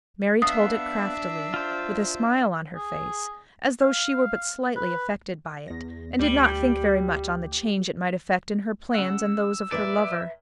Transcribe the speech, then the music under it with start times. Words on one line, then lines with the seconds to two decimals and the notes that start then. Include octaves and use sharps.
Mary told it craftily, with a smile on her face, as though she were but slightly affected by it, and did not think very much on the change it might effect in her plans and those of her lover.
0.42 B3 D4 E5 F5 D#6
1.54 F4 C5
2.76 G#4
3.81 F5
4.76 B4
5.68 E2 A#6
6.19 D2 G3
8.94 C#3 F#5 E6
9.72 A#2 B4 D5 E5